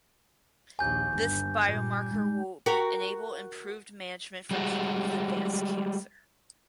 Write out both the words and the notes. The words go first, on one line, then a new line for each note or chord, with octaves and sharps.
This biomarker will enable improved management for people with advanced cancer.
A#1 D#2 G#5 G6
G1 B3
A#2 G3
G#3 D#4
F#4 G4 A#4
G3 G#3 F#4